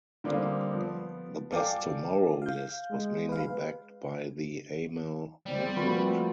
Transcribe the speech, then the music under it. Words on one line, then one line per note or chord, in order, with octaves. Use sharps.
The "Best Tomorrow" list was mainly backed by the Amal Movement.
D3 G3 A#3 C4 F5 D#6
F3 B3
A4 D5 F5 G5 G#5 D6
F5 G6
G#3
B4 F5
G3 C4
F3 A3 A#3 C4 F#4 B4